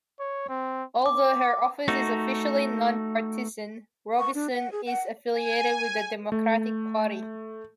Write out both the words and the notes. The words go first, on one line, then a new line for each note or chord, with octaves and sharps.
Although her office is officially non-partisan, Robison is affiliated with the Democratic Party.
C#5
C4
D6
A3 D#4 F#4
C#6
D4
F#5
G#4
F#5
G#5
A3